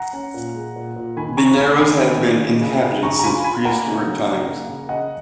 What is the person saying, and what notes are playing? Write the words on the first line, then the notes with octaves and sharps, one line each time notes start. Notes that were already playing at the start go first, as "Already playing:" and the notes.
The narrows have been inhabited since prehistoric times.
Already playing: F#5 A#5
C#4
A#2
G#3
A#2
A#2
D#3 G#5 B5
D#4 A#5 C#6
A#3 G#5 B5
D#3 G#5 B5
D#4
D#3
C#3
C#3
C#3
C#3 A#5 C#6
A#5
F4 G#5 B5
F4 G#5 B5
A#3 F#5 A#5
C#3
F#3
C#3
A#3
C#3
C#3 D#5 F#5